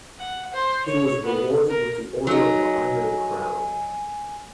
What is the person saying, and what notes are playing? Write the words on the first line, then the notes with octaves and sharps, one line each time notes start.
He was rewarded with the Order of the Iron Crown.
F#5
C5
C#5
B3
A#4
F#3 D#4 G#5